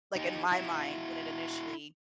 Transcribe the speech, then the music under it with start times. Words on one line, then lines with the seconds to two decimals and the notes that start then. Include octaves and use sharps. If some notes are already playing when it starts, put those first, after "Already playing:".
like, in my mind, when it initially
0.16 D#4 G4
0.52 E4 F#4